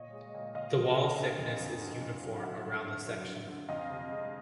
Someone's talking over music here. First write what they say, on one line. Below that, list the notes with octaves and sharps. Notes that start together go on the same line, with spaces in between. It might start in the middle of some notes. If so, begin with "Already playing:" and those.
The wall thickness is uniform around the section.
Already playing: A#2 C#5 D#5
G#3
A#2
A#2 D#5 F5
F3
A#2
D3
F2
F2
D3
F2
F#3
F5
F#3 E5 F#5
G2
D3
F#3
D3
D3
F2 D#5 F5
C3
G#3